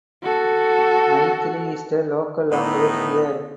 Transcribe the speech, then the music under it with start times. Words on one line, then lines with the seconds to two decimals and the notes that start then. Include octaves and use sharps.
Maithili is the Local Language here.
0.23 F#4 A4
2.52 A2 B3 D#4